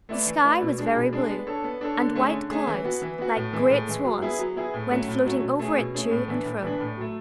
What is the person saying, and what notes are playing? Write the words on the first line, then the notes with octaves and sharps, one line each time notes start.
The sky was very blue, and white clouds, like great swans, went floating over it to and fro.
A3 E4 B4 D5
E3
A3 E4 B4 D5
B2
G#3 D4
B2
G#3 D4
B3
D4 A4 C#5
B3
D4 A4 C#5
D3
A3 C#4 G#4
D3
A3 C#4 G#4
E3
B3 F#4
E3
B3 F#4
A2
E3 G#3
A2
E3 G#3
F#3
B3 E4 G#4
F#3
B3 E4 G#4
A2
F#3 A3 C#4 F#4
A2
F#3 A3 C#4 F#4
B2
A3 C#4 G#4
B2
A3 C#4 G#4
A2
E3 B3 D4
A2
E3 B3 D4
A2
F#3 A3